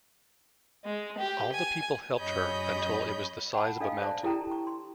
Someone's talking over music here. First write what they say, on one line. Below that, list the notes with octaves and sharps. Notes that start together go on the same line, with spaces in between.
All the people helped her until it was the size of a mountain.
G#3
G4
G#5
F#2 G#4 C#5 D#5 B5 G6
F#5 G5 A5 B5
D4 A4 D#5 F5
C5 D5 E5 A5
E4 G4 A4 G5 A#5
C#6
C6